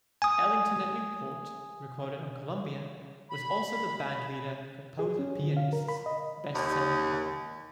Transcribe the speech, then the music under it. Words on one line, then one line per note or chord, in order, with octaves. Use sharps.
Ellington at Newport, recorded on Columbia, was also the bandleader-composer-pianist's best-selling album.
G#5 D#6
B5
G#4
C#4
D3
F5
A#4
B5
D#5
D#2